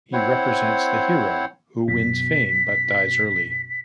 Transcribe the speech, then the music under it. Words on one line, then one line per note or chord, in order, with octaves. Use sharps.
He represents the hero who wins fame but dies early.
C4 E4 C5 C#5 F#5
F#2 B2 B6